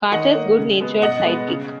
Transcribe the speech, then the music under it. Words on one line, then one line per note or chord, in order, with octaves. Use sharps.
Carter's good-natured sidekick.
D#3 D#5 F#5
A#3
C#3
G#3 B3
B2 D#5 F#5
G#3 B3
C#3